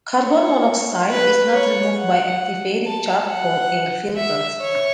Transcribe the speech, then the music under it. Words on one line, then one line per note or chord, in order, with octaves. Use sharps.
Carbon Monoxide is not removed by activated charcoal air filters.
C#5
B4
C#5
F#5
A5
F#5
E5
C#5